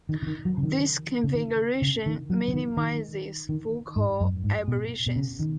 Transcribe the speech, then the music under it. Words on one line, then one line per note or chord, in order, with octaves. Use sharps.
This configuration minimises focal aberrations.
D#3
C#3
D#3
F#3
C#3
D#3
C#3
D#3
C#3
D#3
F#3
C#3
D#3
D#3
D#3
G#2
F#2
G#2
B2
B2
C#3
D#3